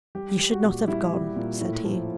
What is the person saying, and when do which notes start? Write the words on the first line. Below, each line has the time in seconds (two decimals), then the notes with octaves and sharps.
"You should not have gone," said he.
0.15 G3 G4
0.39 G3
0.52 F#4
0.63 A#2
0.88 G3 E4
1.12 G3
1.36 A#2
1.61 A2
1.85 F3